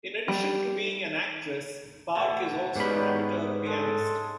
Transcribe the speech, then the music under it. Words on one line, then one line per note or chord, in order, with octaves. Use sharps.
In addition to being an actress, Park is also an amateur pianist.
G3
B2 A3
G#2 G3 B3 C#4 G4 B5
G#3 A4